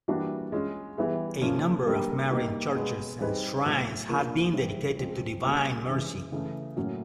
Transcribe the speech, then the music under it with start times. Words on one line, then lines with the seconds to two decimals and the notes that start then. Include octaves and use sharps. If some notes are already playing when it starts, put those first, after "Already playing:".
A number of Marian churches and shrines have been dedicated to Divine Mercy.
0.08 E3 G3 A#3 D4 F#4
0.52 G#3 C#4 F4
0.97 E3 G3 B3 E4 G#4
1.41 C#3 F3 A#3 C#4
1.86 G3 A#3 D4 G4 A#4
2.31 G3 A#3 D#4 G4
2.76 B2 G#3 B3
3.21 G3 C4 D#4 G#4 B4
3.65 A2 F#3 B3
4.09 F3 A#3 D4 F4 A#4
4.53 C3 E3 G3 C4
4.98 C#3 F3 G#3 C4
5.43 G3 A#3 C#4 F4
5.87 C#3 E3 G#3 C#4 E4
6.32 C#3 E3 A3
6.76 A2 F#3 A#3 C#4